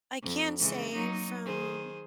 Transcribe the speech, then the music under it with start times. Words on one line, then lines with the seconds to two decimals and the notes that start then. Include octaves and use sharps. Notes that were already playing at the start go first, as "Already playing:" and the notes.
I can say from
0.23 F2
0.59 C#3 E3 G#3
0.93 F#3 A#3 D#4
1.45 D#3 G#4 C5